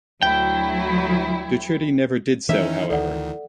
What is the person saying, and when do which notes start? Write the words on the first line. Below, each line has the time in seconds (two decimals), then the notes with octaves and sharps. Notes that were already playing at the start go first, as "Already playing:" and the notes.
Docherty never did so, however.
0.22 D2 F#3 E4 G5
2.49 D#3 E3 C#4 D#4 E5
2.90 D2 D#3 A4 D5 F#5